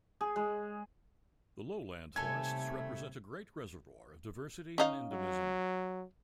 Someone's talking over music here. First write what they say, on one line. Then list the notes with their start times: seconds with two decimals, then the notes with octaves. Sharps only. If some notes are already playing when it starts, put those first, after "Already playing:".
The lowland forests represent a great reservoir of diversity and endemism.
0.21 G#4
0.36 G#3
2.16 D#2 C3 G3 A3 A4 C#5 G#5 G#6
4.78 C#4 D#4 F5
5.11 F#3